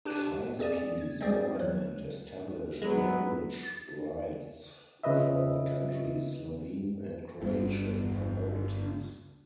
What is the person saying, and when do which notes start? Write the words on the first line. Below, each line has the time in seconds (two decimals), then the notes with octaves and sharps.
Kreisky's government established language rights for the country's Slovene and Croatian minorities.
0.05 D4 G4 F#6 D#7 E7
0.59 F2 G#4 D5 D#7
0.98 G#6 A6
1.21 G3 G#3 C4 G#4 D5
1.55 F3 F#3
2.82 F#3 G#3 B3
5.03 C#3 F4 B4 D#5 E5
7.41 G1 G2 G3 B3